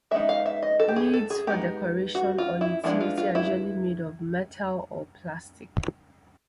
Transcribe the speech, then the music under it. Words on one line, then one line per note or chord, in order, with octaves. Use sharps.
Leads for decoration or utility are usually made of metal or plastic.
G#3 B3 D#4 E5
F5
E5
D#5
A4
G4
G#4
A4
G#4
G#3 B3 D#4 G4
F#4
F4
E4
F3 G#3 B3 D4 E4
F4
F4
E4